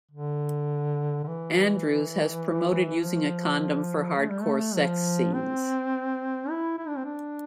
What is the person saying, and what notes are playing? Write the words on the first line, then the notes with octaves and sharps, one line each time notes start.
Andrews has promoted using a condom for hardcore sex scenes.
D3
D3
E3
F3
A3
G3
A3
F3
C4
E4
E4
D4
C4
D4